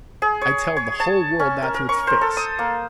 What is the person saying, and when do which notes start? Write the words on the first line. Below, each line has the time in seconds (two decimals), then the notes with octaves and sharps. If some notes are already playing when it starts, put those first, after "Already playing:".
I tell the whole world that to its face!
0.22 G#4
0.41 C#5
0.77 C#5
1.00 A5
1.39 C#4
1.62 A#4
1.74 A#4
1.89 C#6
2.07 C5
2.21 A4
2.37 D#6
2.59 A#3